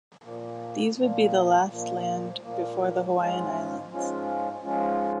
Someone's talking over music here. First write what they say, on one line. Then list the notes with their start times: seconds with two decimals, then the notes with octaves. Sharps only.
These would be the last land before the Hawaiian Islands.
0.24 A#2 F3 A#3
0.97 A#2 F3 A#3
1.70 A#2 F3 A#3
2.43 A#2 F3 A#3
3.17 G#2 F3 G#3 C#4 F4
3.90 G#2 F3 G#3 C#4 F4
4.64 G#2 F3 G#3 C#4 F4